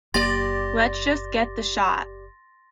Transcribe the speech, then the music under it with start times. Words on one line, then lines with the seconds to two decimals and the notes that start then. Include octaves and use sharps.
Lets just get the shot.
0.14 F#1 A#3 G4 D5 C6 A6 A#6